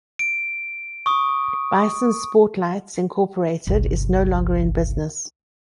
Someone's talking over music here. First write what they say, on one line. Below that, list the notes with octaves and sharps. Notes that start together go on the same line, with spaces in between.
Bison Sportslights, Incorporated is no longer in business.
D7
C#6 D#6
G1 C2